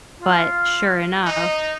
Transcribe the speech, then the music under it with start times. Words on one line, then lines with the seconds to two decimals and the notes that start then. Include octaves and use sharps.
but sure enough
0.20 F4
1.25 D#4 D#5